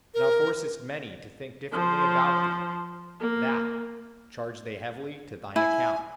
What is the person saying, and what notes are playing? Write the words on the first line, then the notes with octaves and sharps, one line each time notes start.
Thou forcest many to think differently about thee; that, charge they heavily to thine account.
A#4
F3 C5
A#3
E4 G#5